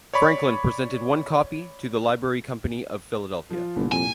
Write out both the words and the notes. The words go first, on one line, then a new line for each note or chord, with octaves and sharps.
Franklin presented one copy to the Library Company of Philadelphia.
C#5 D5 B5 C#6
F3 F4
G1 C2 A#2
F2 G#5